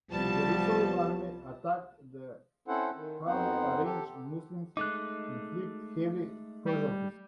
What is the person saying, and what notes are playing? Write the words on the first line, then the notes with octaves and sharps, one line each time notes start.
The Jerusalem army attacked the hurriedly arranged Muslims, inflicting heavy casualties.
C2 F3 G3 B3 G4 A5
C4 C#4 E4 A4 C5 F#5
D#3
F2 B3 C4 D#4 C5 F#5
G4 A4
G#3 A3 D#4 D6 F#6
G3